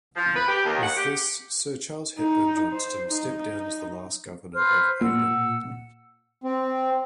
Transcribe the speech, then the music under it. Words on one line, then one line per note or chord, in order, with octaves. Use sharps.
With this Sir Charles Hepburn Johnston stepped down as the last Governor of Aden.
F3
B4
G4
D#2
F#5
G4
D#4
C5
D#4
B4 C5 F6
A#2 F#5 E6
C4